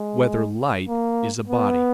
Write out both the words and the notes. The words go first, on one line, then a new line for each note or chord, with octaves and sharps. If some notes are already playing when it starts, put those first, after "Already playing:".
Whether Light Is a Body?
Already playing: G#3
A#3
B3